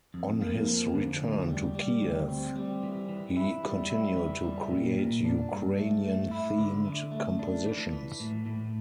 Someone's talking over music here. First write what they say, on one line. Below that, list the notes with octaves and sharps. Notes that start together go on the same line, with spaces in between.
On his return to Kiev he continued to create Ukrainian themed compositions.
F2
A#3
F3
D3
D2
G3
G3
D2
C4
G3
E3
E3
E4
G3
E4
E3
G3
A#2
A#2
D4
G2
A3
A3
E4
D3
D3
A3
D4
E3
E3
A2
A2